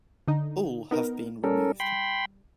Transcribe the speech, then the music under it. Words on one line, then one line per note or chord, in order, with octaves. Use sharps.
All have been removed.
D3 D#4
B3 D#4 A#4
G3 C#4 A4 A#4
G5 B5 C6